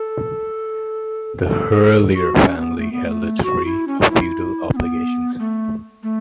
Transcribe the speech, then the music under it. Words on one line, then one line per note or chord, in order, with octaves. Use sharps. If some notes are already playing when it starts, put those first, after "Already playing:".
The Herlaer family held it free of feudal obligations.
Already playing: A4
A4
F#4
C#4
B3
A3
B3
A3
F#4
E4
C#4
F#4
E4
C#4
B3
A3
A3